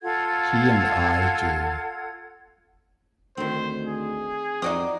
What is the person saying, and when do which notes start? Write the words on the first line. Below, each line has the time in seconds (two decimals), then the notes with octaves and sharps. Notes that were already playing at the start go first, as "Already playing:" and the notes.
He and I. J.
0.02 F4 A4 F#5 G#6
3.37 D2 D#3 C4 C5
3.87 G#4
4.62 F2 C4 D#4 F#4 C5 D5 D#6